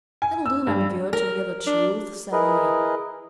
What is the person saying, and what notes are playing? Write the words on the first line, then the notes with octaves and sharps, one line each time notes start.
"It'll do them good to hear the truth," said he.
G#5
E6
G2
A#4
D4
E4 G#4 A#4 B4 D#5